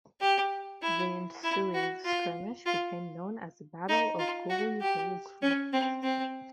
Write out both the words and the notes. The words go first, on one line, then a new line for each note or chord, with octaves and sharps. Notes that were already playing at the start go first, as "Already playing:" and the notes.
The ensuing skirmish became known as the Battle of Gully Hole Creek.
G4
E4
E4
F#4
F4
F4
D#4
F4
F#4
G4
C#4
C4
C4